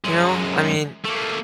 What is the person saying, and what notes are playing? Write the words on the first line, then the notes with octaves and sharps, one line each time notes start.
you know, I mean,
F#2 G#3
A3 A#3